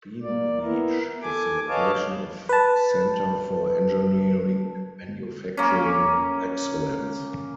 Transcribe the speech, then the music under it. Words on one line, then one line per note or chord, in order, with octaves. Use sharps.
Beam Reach is the location of Centre for Engineering and Manufacturing Excellence.
A#3 D5
B3 E4 A#4
A4 G#5 D6
B4 C#5 D#5 F5 A5 D6
B4 A5
A#3 C#4